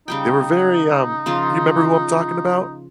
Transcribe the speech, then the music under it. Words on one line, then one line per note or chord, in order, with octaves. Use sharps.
they were very, um, do you remember who I'm talking about?
C#3 G3 D#4 G5
C#3 F3 F4